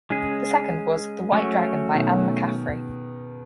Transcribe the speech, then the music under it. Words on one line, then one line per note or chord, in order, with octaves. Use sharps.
The second was "The White Dragon" by Anne McCaffrey.
C#3 G#3 C#4 G#4
F#3 A3 C#4 F#4 C#5
B2 D#3